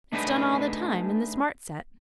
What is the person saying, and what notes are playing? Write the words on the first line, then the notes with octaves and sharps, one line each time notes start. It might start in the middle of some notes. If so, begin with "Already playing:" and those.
"It's done all the time in the smart set."
A3 D4 D#4 G#4 B4